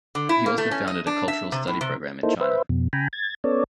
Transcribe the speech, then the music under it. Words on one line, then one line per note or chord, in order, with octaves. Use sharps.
He also founded a cultural study program in China.
D3
E4
A#3
A3
C#4
D#5
D4
E5
C3
A2
C3
A#3 D#4 E4 A4 C5
B4 C5 E5
F2 B2
C#3 G5 G#5 A#5 B5
G#6 A6
B3 C#4 A4 C#5 D5